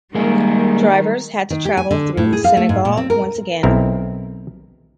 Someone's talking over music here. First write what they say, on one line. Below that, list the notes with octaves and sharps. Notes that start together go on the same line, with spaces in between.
Drivers had to travel through Senegal once again.
D#3 G3 G#3 A#3 G#4
D#3
G4
G#5
D3
A2
G#4
F5
A3
G#2
A#2
C4
A#4
B1 C4 E4 A#4